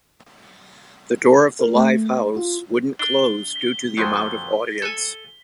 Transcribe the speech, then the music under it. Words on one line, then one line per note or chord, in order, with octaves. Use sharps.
The door of the live house wouldn't close due to the amount of audience.
A#4
A3
F4
D4 G7
B6 G7
F2 F3 F#3
A4 G#5